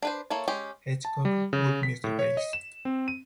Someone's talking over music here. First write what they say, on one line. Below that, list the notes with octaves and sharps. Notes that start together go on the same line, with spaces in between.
Hedgecock would miss the race.
D4 B4 C5
A#3 E4 A4 C#5
G#3 C#4 G4
A5
G3
C#3
B6
A2
C#5
D#5
E7
C4
D#7